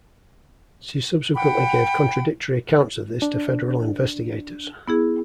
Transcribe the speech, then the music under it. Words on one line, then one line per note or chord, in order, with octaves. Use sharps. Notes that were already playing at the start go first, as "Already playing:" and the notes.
She subsequently gave contradictory accounts of this to federal investigators.
F#5 G5 B5
D4
B3 E4 G#4